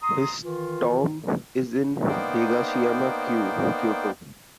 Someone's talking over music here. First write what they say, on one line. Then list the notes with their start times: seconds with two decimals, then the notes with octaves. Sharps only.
His tomb is in Higashiyama-ku, Kyoto.
0.02 A#5 C6 D#6
0.42 D#3 E3 F4
2.08 A#3 B3 D#4 C5 D5 G5